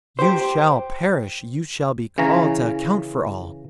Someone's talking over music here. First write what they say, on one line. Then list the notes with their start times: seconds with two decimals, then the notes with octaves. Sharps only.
You shall perish--you shall be called to account for all!
0.19 G4 C5
2.18 C#3 E3 C#4 A#5